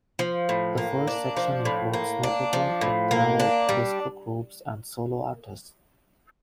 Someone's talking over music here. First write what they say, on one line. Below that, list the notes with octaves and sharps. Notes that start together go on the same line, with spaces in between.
The first section includes notable Italo disco groups and solo artists.
F3
A2
A#3
D4
F3
A2
A#3
D4
F3
A2
A#3
D4
G3